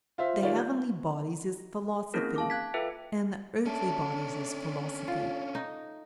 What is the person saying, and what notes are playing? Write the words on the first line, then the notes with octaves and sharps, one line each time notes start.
The heavenly bodies is philosophy, and the earthly bodies is philosophy.
F4 C5 E5
D#3 F4 G4 G#4 C#5 D5
G6
A#3 C4 C#4 E4 G#4 A#4
F5 A5 D6
F5 F#6 G#6 B6
F4 A4 B4 E5 G5
A3 C#4 D4 A4
F4
D#4